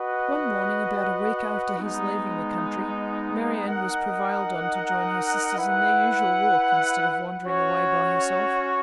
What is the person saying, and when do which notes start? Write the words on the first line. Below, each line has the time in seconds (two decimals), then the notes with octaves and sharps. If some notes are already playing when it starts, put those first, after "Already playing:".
One morning, about a week after his leaving the country, Marianne was prevailed on to join her sisters in their usual walk, instead of wandering away by herself.
Already playing: F#4 B4 D#5 F#5
1.78 G#3 B3 D#4
3.68 D#4 A#4 D#5 F#5
5.57 E4 B4 F#5
7.47 C#4 F#4 C#5